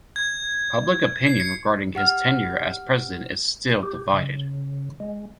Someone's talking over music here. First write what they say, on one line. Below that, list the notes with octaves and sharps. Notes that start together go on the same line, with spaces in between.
Public opinion regarding his tenure as president is still divided.
G#6
C7
C#7
G4 F#5 F6
G4
C#3
G#3